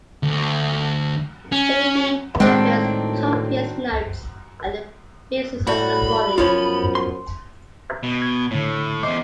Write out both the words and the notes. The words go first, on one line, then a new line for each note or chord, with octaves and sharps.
Lady Blomfield's copious notes are the basis of the volume.
D2
C#4
A2 D#3 F#3 G#3 C4 D4
A2 G3 F#4 B5
F#2 F3 B3 F4 C#5
C6
B2
G#6
A2 D3 A3
E2 C5 D#5 D6